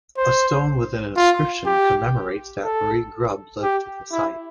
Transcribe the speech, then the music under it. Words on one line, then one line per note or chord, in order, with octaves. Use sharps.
A stone with an inscription commemorates that Marie Grubbe lived at the site.
C5
F4
G4
A4
G4
E4